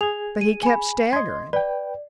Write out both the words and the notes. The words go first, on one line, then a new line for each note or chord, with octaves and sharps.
But he kept staggerin'.
G#4 G#6 F7
D#7
G#5 B5
D#5 C6 G#6
B4 D5 G5